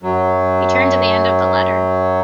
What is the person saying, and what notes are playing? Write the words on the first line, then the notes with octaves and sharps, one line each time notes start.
He turned to the end of the letter.
F#2 F#3